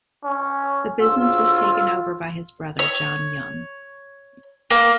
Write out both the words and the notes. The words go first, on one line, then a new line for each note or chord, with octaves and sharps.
The business was taken over by his brother John Young.
C#4
D2 C#3 F4 E6
C#5
A#3